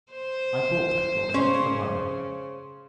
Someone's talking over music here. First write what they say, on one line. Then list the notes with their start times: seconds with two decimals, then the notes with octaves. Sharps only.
I bought that goldfinch for money.
0.12 C5
1.34 C#3 C#4 C5